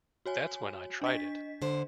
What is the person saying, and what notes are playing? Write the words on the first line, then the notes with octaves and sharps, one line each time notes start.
That's when I tried it.
F#4 C#5 G#5
D4 D#5 B6
D3 C5